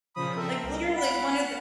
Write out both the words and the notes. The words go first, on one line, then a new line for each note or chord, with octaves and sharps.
Like, literally one of the
A#2 C#3 F3 B5 D#6
C4 A4 A#4 E5
C2
F5 F#5 B5